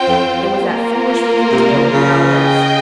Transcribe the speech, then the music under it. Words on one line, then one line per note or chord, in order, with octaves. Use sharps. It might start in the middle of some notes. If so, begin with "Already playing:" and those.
It was that foolish looking tail of Yowler's.
Already playing: C4 F4 C5 G5
F2
A#3 F4 A#4
C3
C#3
C#3
G#4 D#5 G5